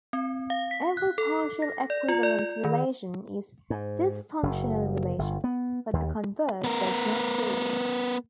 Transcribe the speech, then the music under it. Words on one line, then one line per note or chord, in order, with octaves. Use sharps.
Every partial equivalence relation is a difunctional relation, but the converse does not hold.
C4
F5
B6
F#6
A4
A#6
D5
F4
D5
D#3
G#2
F#1
G1
B3
D#2
B3 A#4